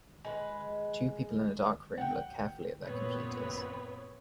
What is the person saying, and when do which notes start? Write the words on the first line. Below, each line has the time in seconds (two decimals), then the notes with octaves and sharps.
Two people in a dark room look carefully at their computers.
0.25 G#3 B4
1.98 F#5 G5
2.83 F#2 A#2 B3 C4 B4 C#5